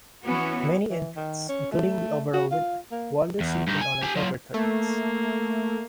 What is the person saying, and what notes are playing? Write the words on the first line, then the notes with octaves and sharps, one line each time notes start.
Many entrants, including the overall winner, won their seat in online poker tournaments.
E3 B3 C#4 F#4
E3
D#3
C#4
A3
F#4
F4
A#3
E2
G2 D#4
G#5
G4 G#5
F#3 F4
A3 A#3